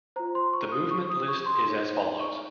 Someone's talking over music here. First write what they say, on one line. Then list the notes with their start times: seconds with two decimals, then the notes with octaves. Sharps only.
The movement list is as follows.
0.16 C5 A#5
0.19 F4
0.35 C6
0.54 C#6
0.72 D#6
0.91 C#6
1.10 D#6
1.28 C#6
1.46 C6
1.65 D#4 G#4 C#5
2.20 C#6